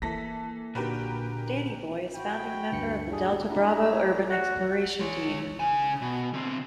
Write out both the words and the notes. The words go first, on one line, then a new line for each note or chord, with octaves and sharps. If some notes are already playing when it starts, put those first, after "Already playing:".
Danny Boy is founding member of the Delta Bravo Urban Exploration Team.
E3 A#3 A4 A#6 B6
A#2 D3 F#4 G4 A#4 B4
F#4 G5 B5
D2 G2 C#7
G3 D4 G#4
D4 E4 G4 A#5 B5
C#5
F#4
G#3 C#5
C#3 G#5
B2
D3 C4